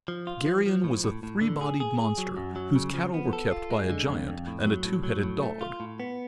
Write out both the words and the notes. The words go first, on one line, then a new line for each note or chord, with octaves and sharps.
Geryon was a three-bodied monster whose cattle were kept by a giant and a two-headed dog!
F3
F4
F3
F3
A2
A2
A2
D3
G#4
G#4
G#4
F#3
F#2
F#3
C#3
F3
B3
A4
F4
G#3
D3
F2
F2
A2
F#3
A2
F#3
A2
A3
F4
A2
B3